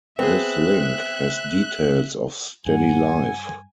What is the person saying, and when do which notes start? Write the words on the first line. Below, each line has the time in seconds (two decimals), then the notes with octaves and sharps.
This link has details of Steady life.
0.19 B3 C4 G#4 E5 F#6
2.66 G2 F#5 G#5